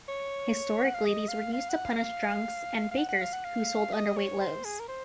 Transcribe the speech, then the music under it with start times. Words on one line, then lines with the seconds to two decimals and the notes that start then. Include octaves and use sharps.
Historically these were used to punish drunks, and bakers who sold underweight loaves.
0.09 C#5
0.85 F#5
0.94 F5
1.05 D#5
1.29 F5
1.53 F5
1.69 F#5
1.85 F5
2.91 F5
2.97 F#5
3.09 F#5
3.21 F5
3.33 F#5
3.45 F5
3.93 D#5
4.17 C#5
4.41 C5
4.65 G#4
4.80 A#4
4.89 C5